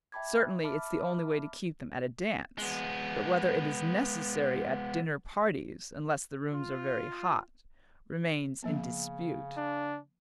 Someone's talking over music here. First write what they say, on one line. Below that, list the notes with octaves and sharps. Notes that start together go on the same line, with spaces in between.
Certainly it's the only way to keep them at a dance; but whether it is necessary at dinner parties, unless the rooms are very hot, remains in dispute.
E5 G5 A5 B5 D6 G#6
E5 A5 B5 D6 F6
G#3 B3
F4
C#3 F3 A#3 B3
D4